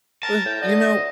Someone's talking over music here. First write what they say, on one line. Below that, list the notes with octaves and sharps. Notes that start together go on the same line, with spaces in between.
w you know,
A#4 A5
A2 G5
D3 D#5
D2